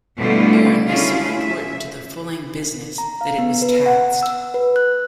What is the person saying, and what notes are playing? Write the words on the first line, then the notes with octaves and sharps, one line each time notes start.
Urine was so important to the fulling business that it was taxed.
B2 D3 G3 A3 E4 F4
C#4 D4 E4 F4 G#4
E5
A#5
F5
B3
B4
F#5
E6
B4
F#6